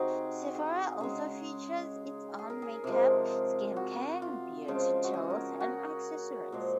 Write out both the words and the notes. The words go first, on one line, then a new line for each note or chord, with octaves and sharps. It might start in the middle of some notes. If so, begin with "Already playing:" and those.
Sephora also features its own make-up, skincare, and beauty tools and accessories.
Already playing: C3 C4 D#4 F#4 G#4
G#4
C#3 G#3 G#4
G#4
A#4
G#4
C3 F3 G#3
F#4
F4
C#3 F3 G#3
F#4
G#4
A#4
F#4
A#2 F3 G#3